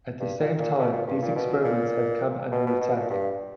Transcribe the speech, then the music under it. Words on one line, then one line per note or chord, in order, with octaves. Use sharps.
At the same time, these experiments have come under attack.
G2
A#2
A#2
B2
A#2
G2
A#2
B2
A#2
B2
B2
B2
A#2
G2